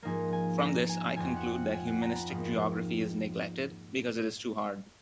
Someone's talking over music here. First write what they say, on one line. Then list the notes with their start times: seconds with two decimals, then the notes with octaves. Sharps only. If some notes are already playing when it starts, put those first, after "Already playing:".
From this, I conclude that humanistic geography is neglected because it is too hard.
0.03 G#2 F3 A#3 D#4 G#5
0.33 G#5
0.61 A#5
0.89 G#5
1.17 F2 F3 B3 G#5
1.36 F#5
1.55 F#5
1.73 G#5
1.87 F#5
2.02 A#5
2.15 B5
2.29 G#2 F3 A#3 D#4